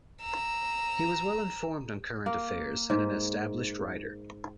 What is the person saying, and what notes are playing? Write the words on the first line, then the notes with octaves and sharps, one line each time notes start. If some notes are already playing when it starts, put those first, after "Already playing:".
He was well informed on current affairs and an established writer.
A#5 E6
A#3
G#2